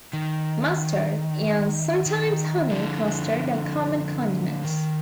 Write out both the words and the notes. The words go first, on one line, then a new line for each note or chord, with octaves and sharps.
Mustard and sometimes honey mustard are common condiments.
D#3
D#3
D3 F3
D#3